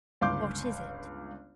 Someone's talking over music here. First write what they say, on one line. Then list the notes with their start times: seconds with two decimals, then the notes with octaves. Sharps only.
"What is it?"
0.21 G1 C#2 F5 C6 D6 G6